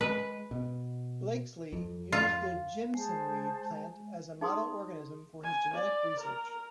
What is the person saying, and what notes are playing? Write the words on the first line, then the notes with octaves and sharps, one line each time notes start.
Blakeslee used the jimsonweed plant as a model organism for his genetic research.
G#3 B4
B2
F2
F4
G#3 G#4 C5 A5
D#4 G#4 C6 D#6
G#5
D5
A#4